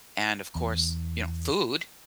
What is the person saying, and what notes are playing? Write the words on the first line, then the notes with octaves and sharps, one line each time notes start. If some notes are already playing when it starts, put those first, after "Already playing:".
and, of course, you know, food
E2